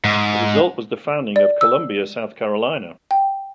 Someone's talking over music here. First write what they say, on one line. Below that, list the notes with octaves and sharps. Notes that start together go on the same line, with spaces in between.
The result was the founding of Columbia, South Carolina.
G#2
D5
E6
G5